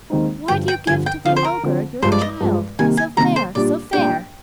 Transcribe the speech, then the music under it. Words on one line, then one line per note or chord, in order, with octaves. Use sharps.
Why do you give to the ogre Your child, so fair, so fair?
D#2 D#3 G#3 C4 D#4
G2 D3 F3 G5
G5
G2 D3 F3 G#5
G5
D3 F3 C4 F5
C5
A#4
D3 F3 C4
G2 F3 G#3 C5
D5
D#5
G2 F3 G#3
C3 D#3 G3 A#3 G#5
G#5
C3 D#3 G3 A#3 A#5
C5
A#2 G3 D4 G4 D5
A#2 G3 D4 G4 G5